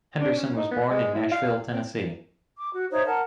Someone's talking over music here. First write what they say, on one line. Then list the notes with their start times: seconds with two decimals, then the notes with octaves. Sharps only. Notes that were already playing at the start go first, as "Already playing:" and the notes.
Henderson was born in Nashville, Tennessee.
0.21 D4
0.36 C#4
0.56 D#4
0.71 B3
0.90 G#3
1.15 E4
1.31 F5
1.73 C4
2.58 D6
2.73 F#4
2.92 D#4 C5 C#5 E5
3.06 A#4 F#5 A5